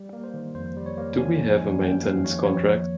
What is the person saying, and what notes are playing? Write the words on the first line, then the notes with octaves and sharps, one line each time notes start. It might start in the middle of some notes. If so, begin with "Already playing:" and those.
Do we have a maintenance contract?
Already playing: G3
A#3
C5
D#3
F2 C5
G3
C#5
A#3
D#3 G#5
F2
G#5
G3
A#3 G5
D#3 F5
F2 C#5
F3 C#5
A#3